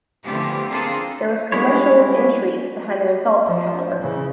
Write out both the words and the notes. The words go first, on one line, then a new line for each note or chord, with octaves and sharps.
There was commercial intrigue behind the result, however.
D3 E3 F3 A3 B3 G4
A#3 C4 D4 F4 G#4 A4
G3 G#3 C#4 E4 C#5
F3
C#3 E3